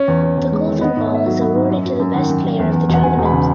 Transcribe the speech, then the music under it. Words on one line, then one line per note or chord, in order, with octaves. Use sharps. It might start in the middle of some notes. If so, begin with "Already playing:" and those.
The "Golden Ball" is awarded to the best player of the tournament.
Already playing: C#4 C#5
E2
C#4
E2
G#3
D#3
B3 D#5
G#2
C#5
B3 E5
F#3
B3
G#2
F#2
F#3
F#2
D#3 F#5
F#2
F#2
E2
E2
E1
F#5
E1 G#5
E1
B5
C#3